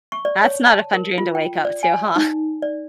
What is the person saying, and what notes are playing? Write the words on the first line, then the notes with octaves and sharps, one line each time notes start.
That's not a fun dream to wake up to, huh?
C#6
D5
C#5
A5
A#4
F4
G5
D5
G#5
D#4
D5